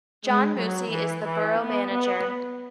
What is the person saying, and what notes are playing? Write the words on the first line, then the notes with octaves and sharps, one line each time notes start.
John Moosey is the borough manager.
G#3
F#3
E3
E3
B3
B3